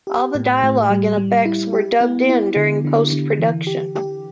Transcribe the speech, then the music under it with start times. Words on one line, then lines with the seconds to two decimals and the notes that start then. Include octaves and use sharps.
All of the dialogue and effects were dubbed in during post-production.
0.07 G4
0.35 A2
0.63 A2
0.90 G3
1.17 G3
1.45 E4
1.73 G4
2.01 B3
2.29 E4
2.56 D3
2.85 D3
3.12 D3
3.39 E3
3.67 G4
3.95 G4